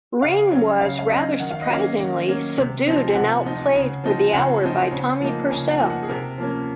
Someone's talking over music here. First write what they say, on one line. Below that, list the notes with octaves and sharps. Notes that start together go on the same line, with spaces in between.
Ring was, rather surprisingly, subdued and outplayed for the hour by Tommy Purcell.
C#3 F5
F#3 C#4
C#3 F5
F5
F#3 C#4 D#5
D#3 F#5
F5
D#5
F#3 A#3 C#4 F5
D#3
F#3 A#3 C#4
C3
F3 C4 D#4
G#5
C3 F#5
F3 C4 D#4
C#3
F3 C4 D#4
C#3 F#5
F3 C4 D#4
C#3
F3 A#3 D#4
C#3 G#5
F#5
F3 A#3 D#4
F#5
G#4
C3 A#4
F3 A#3 C#4